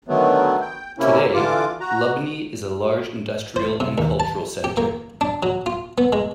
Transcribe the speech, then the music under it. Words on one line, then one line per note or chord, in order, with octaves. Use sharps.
Today, Lubny is a large industrial and cultural centre.
D3 D#3 F#3 A3 B3
G5
C3 A#3 C#4 E4
D3 E3 F4 D6
F#4 A#5
C5
C3
D#2
A5
G4
A#3
D4
F#3
F4
B3
G#3